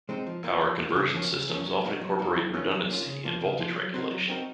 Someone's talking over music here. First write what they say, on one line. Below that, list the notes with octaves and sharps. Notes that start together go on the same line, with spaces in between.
Power conversion systems often incorporate redundancy and voltage regulation.
G#3 C4 D#4
F3
A#3 F4
F3
A#3 F4
C#3
F3 A#3 C#4
C#3
F3 A#3 C#4
F#3
A#3 D#4 F#4
F#3
A#3 D#4 F#4
F#3
A#3 C#4 F4
F#3
A#3 C#4 F4
C#3
F3 A#3 F4
C#3
F3 A#3 F4
F#3
C4 D#4 F#4 A#4
F#3
C4 D#4 F#4 A#4